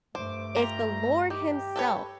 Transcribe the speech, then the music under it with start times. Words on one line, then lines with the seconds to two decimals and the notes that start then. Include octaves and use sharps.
if the Lord himself
0.15 G2 A3 C5 D6
0.56 F4 G4 A#5
1.30 D#3 G4
1.76 A4 B4 C#5